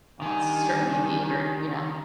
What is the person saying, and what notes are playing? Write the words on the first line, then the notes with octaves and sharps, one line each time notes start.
uh, certainly need or yeah
D#3 G3 D4 G#5